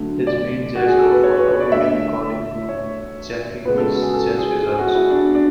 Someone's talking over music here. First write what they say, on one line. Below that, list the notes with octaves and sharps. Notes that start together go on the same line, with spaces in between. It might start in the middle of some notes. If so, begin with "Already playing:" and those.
His main jazz group for touring and recording being Jeff Healey's Jazz Wizards.
Already playing: D3 F#3 A3
D5
F#4
G#4
A4
B4
C#5
B4
C#5
D5
D3 A3 E5
C#5
C#3 G#3 B3 B4
A4
F#4
G#4
A4
G#4
G#4
F#4
E4
D4
D4